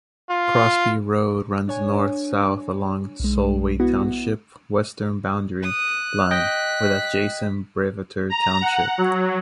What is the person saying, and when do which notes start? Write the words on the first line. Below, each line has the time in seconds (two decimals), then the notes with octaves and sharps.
Crosby Road runs north-south along Solway Township's western boundary line with adjacent Brevator Township.
0.29 F4
1.68 D4 C#5 G#5
3.20 B1 G#3
3.80 B3 E4 F#4
5.63 D#6 F#6
6.31 D#5 G5 B6
8.30 A#5
8.62 F#5
8.98 F#3